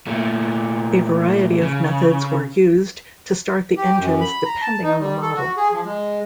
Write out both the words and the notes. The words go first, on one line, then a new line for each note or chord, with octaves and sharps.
A variety of methods were used to start the engines depending on the model.
A#2 A3
C#3
G4
F#2
B5
A#5
A5
D#4
G3
A4
F#4
G#4
F3
G#3